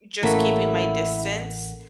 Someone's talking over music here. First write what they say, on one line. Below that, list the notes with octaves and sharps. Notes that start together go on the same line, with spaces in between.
just keeping my distance.
A1 A3 A#3 C#4 E4 F#5 B6